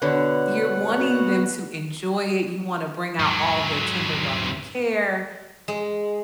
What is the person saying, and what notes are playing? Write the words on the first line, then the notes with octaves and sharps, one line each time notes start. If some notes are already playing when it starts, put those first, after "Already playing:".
You're wanting them to enjoy it, you want to bring out all the tender love and care.
B2 D3 B4 C#5 D5 F#5
B3 F#4
G#2 F#3
G#3